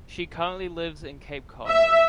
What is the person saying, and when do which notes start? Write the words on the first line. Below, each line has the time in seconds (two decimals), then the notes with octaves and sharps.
She currently lives in Cape Cod.
1.67 E5